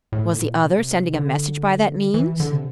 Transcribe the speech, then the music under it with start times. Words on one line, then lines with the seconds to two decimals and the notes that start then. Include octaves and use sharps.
Was the other sending a message by that means?
0.12 A2
0.37 A#2
0.63 C3
1.13 D3
2.14 E3
2.40 D3
2.52 C3